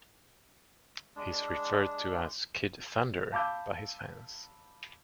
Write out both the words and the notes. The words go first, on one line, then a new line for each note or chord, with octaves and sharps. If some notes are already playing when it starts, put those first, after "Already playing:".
He is referred to as "Kid Thunder" by his fans.
G#3 D4
F5 A5 B5 D6 E6 G6